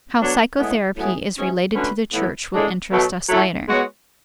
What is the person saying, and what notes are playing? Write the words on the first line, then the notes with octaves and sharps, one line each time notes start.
How psychotherapy is related to the church will interest us later.
F#3 B3 D4 A4 C#5
A2 G#3 B3 E4 G#4
A2 F#3 B3 E4 G#4
G#2 F#3 C#4 E4 G#4
D3 A3 C#4 F#4 B4
A2 E3 B3 E4
A2 G#3 D4
B2 F#3 A3
F#3 A3 E4 A4
G#3 B3 F#4 C#5